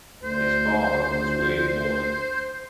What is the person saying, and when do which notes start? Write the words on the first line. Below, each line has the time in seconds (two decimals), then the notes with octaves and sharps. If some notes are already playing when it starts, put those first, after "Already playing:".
His father was William Morley.
0.23 D2 C5